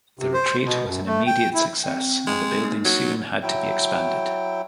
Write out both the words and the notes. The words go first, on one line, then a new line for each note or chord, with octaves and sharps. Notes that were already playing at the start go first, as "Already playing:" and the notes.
The retreat was an immediate success, and the building soon had to be expanded.
C3
C5
B2
F#2
A3
G5
E4
C4 G5
G#3
A#3 D#4
F#3
F#3 E4 G5